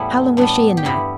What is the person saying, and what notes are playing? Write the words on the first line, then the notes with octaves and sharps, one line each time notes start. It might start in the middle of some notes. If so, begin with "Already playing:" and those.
"How long was she in there?"
Already playing: E2 A2 E3 G3 B3 E4 A4
A2 G3 B3 D4
G4
G2 G3 B3 E4